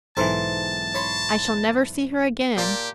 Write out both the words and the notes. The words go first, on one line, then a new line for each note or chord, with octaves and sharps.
I shall never see her again....
B1 G#2 E3 A4 C5 A5 A#5
C#5 B5 C6
A#2 G4 A5 A#5